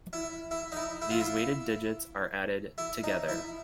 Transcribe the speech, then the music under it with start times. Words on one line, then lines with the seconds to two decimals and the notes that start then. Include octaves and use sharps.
These weighted digits are added together.
0.13 E4
0.51 E4
0.72 D#4
0.76 E4
1.02 E4
1.11 F4
1.20 E4
2.78 E4
3.04 D#4
3.29 E4